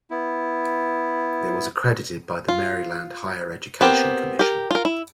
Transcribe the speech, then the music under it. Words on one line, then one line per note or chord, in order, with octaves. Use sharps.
It was accredited by the Maryland Higher Education Commission.
B3 E4
F4
B3 C4 G4 A#4
G4 A#4
F4 A#4
E4